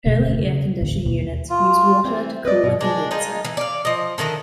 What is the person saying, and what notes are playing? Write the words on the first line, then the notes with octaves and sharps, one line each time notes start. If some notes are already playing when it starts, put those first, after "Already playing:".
Early air conditioner units used water to cool the condenser.
E1 D2 B2 A3
C#3
A1 D#2 D3
D#2 B2
F4
E3 C4
B4 D5 D#5
G2 B2
G#3 D4
G#3 D#4 F4
E3
D5 F5
F3 D#5
D3 D#3 E4 D#5